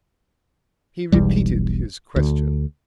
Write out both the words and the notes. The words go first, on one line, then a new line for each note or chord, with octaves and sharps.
He repeated his question.
E1 B1 E2 G3
D2